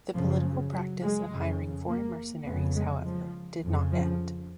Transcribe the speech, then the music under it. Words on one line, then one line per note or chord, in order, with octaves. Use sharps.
The political practice of hiring foreign mercenaries, however, did not end.
F#2 C#3 F3
F#3
G#3
F2 C#3
A#3
F2 C#3 B3
G#3
F3
F2 C#3
F3